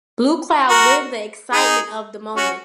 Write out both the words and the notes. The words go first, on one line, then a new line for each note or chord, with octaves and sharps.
Blue Cloud lived the excitement of the moment.
F#4 A#4
D#4 G#4
C#4 F#4